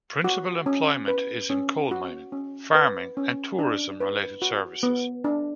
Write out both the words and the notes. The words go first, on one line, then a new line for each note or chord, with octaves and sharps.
Principal employment is in coal mining, farming and tourism related services.
F#4
C#4
B4
C#4
F#4
C#4
B4
C#4
D4
B4
F#4
B3
D4